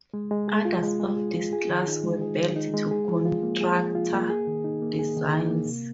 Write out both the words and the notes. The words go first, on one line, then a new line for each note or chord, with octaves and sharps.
Others of this class were built to contractor designs.
G#3
G#3
G#4
F4
G#3
G#3
G#4
F4
G#4
D#3
D#4
G#3
G#4
D#3
D#4
G#3
G#4
F3
F4
A#3
G#4
F3
F4
A#3
G#4
D#3
D#4
A#3
G#4
D#3
D#4
A#3
C3